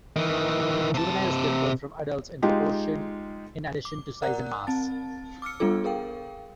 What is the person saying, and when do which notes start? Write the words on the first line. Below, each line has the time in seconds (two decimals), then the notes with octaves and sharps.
Juveniles differed from adults in proportion in addition to size and mass.
0.16 D#3 E3
0.94 C3 A5
2.42 G#3 D#4 F4 G4
3.85 D6
4.22 A#4 D5 F#5 A#5 F#6
4.67 C4 A5 A6
5.42 D6 E6 F6 C#7
5.60 G3 B3 D4 F4 A4 D6
5.84 G#4 A#4 F5 G5